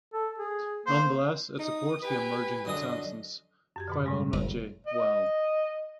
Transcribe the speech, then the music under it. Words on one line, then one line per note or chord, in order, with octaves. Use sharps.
Nonetheless, it supports the emerging consensus phylogeny well.
A4
G#4
A#3 C5
D#4 D#6
G4 B4 G#5
F#2 D3 D#5 D#6
F#2 G4 G#6
G#2 B2 D3
A2 G3 G#3
F#1
D#5